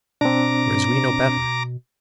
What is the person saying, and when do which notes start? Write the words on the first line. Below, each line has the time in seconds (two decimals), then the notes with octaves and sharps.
Whereas we know better.
0.21 B2 C4 D4 A#5 D6